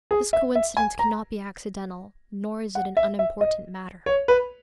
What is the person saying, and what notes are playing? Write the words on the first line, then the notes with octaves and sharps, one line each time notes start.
This coincidence cannot be accidental, nor is it an unimportant matter.
G#4
E5
E5
G#5
A#5
F#5
E5
E5
D#5
C#5
B4